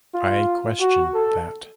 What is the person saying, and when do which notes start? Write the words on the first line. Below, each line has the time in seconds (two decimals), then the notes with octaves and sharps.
I question that.
0.15 F4
0.81 F#4
1.14 A4